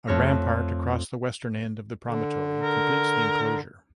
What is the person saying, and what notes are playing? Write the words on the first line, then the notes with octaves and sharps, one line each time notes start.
A rampart across the western end of the promontory completes the enclosure.
F2 A3 C#5 F6 A#6
D3
A#4